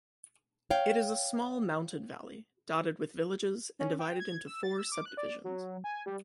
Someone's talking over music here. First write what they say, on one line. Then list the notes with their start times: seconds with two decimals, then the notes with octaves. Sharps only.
It is a small mountain valley, dotted with villages and divided into four sub-divisions.
0.70 C#5 F5 G5
3.79 C#4
3.99 G5
4.20 G#6
4.46 E6
4.63 A6
4.78 E6
4.92 D6
5.06 F#6
5.17 D5
5.44 F#3
5.84 G#5
6.06 G3